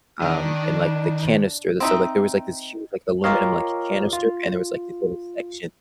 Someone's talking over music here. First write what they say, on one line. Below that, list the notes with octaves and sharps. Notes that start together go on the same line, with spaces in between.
um, in, like, the canister, the so like, there was, like, this huge, like, aluminum like canister, and there was, like, these little sections.
D#3 D4
C4 D#4 E5
F4 G4 A#4 C#5 D#5 F5
F4